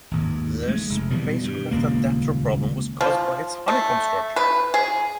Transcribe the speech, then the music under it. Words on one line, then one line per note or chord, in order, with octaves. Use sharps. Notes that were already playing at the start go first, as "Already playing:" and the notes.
The spacecraft adapter problem was caused by its honeycomb structure.
G#1 D#2 G#2
G#3 A3
F1
B2 D#3 E3 G3
G2
D#1 C#2 A#3
F3
A3
B4
G#4